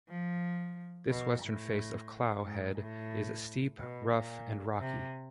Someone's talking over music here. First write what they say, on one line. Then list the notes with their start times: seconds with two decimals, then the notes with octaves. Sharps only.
This western face of Clough Head, is steep, rough and rocky.
0.09 F3
1.10 B2
1.43 A2
2.44 G#2
2.78 A2
3.79 B2
4.12 A#2
4.80 C3